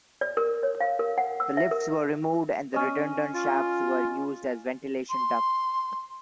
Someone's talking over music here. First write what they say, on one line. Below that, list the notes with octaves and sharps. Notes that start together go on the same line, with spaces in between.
The lifts were removed and the redundant shafts were used as ventilation ducts.
D5
A#4
C#5
F5
A#4
F#5
E6
E5
A#4
C#4 D#5
F4
C6